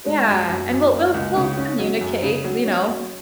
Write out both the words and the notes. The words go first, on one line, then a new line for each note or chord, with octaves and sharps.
Yeah, and we'll we'll we'll communicate, you know,
G#3
F#2
F#2
F#2
A#3
C#2
C#3
C#4
F#3
F#2
C#3
F#3
C#4
F#3